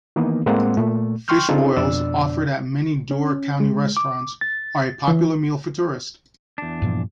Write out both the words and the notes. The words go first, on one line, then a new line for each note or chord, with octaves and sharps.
Fish boils, offered at many Door County restaurants, are a popular meal for tourists.
D#3 E3 A#3 B3 D#4
A2 G#3 A#3 C4 F#5
A#2 A3
G5 C6 C#6 F6 G6
C4 D4 D#4 F4 G#4 A4
F2 B2 D4 D5 E6
C#4
G#3
D6
A6
E3
E2 D4
G2 A#2 F3